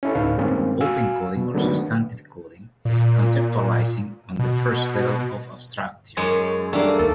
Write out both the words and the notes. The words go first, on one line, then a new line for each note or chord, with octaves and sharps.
Open coding or substantive coding is conceptualizing on the first level of abstraction.
C#4 E4 A4
D2 A2 D#4 B4 C#5 F5
G2 D#3 G#3 A#3 C4 C#4
F#4 F5 G#5 E6
B2
D3 D#3 F#3 G#3 A3 B3
A#2
B2
F#2 G#3 C#5
G3 A3 A#3 D4
D#2 A4